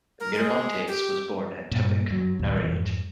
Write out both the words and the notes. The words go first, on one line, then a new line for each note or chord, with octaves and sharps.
Miramontes was born at Tepic, Nayarit.
A#4
G#3
G4
G2 A#2
F#2 F#3
A#1 D#2 A#2
E1 F2 E3
F2 G#2